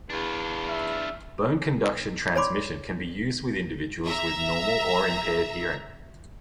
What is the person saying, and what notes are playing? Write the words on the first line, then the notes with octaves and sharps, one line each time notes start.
Bone conduction transmission can be used with individuals with normal or impaired hearing.
E2 D4 F4
E5
C#5 D5 G#5 B5 C6 D6
E5 A#5